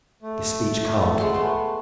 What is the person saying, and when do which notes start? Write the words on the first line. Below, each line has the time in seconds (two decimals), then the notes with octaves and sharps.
This speech calmed me.
0.22 A3
1.19 G#3 F#5 C6
1.34 A3 B3